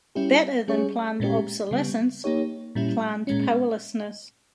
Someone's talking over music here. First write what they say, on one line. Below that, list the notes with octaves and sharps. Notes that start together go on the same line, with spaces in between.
Better than planned obsolescence: planned powerlessness.
G3 C#4 E4 G4
G3 C#4 G#4 C#5
A#2 G#3 C#4 G4
C#3 G3 B3
A#3 D#4 G4 C#5
A#2 G3 C#4 E4
A#2 G#3 C#4